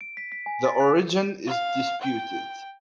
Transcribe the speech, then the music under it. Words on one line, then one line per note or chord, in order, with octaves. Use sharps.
The origin is disputed.
D7
B6
B6
G#5
A6
F#6
F5
G5